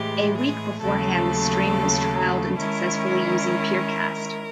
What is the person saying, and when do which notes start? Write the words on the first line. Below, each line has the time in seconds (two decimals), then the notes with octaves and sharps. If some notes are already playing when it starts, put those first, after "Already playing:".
A week beforehand the stream was trialled unsuccessfully using peercast.
Already playing: A2 E3 G#3 G4
0.37 G#4
0.80 D#2 C#3 F#3 A3 A4
2.59 D#3 G#3 C#4 E4 A#4